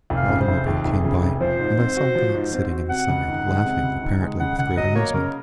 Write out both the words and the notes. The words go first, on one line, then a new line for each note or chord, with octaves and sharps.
An automobile came by, and I saw Gotz sitting inside, laughing apparently with great amusement.
F1
F5
C#3
C5
F1
D#2 G#4
F1
C#3
F1
F3 C5
G#2
C4
F#4
F3
G#2
C4
F#4
C3 F#5
C#2
D#3
G#3
C3
C#2
D#3
G#3
C#3 F#5
C#2 F#5
F#3 D#5
A#3 C#5
C#3 A#4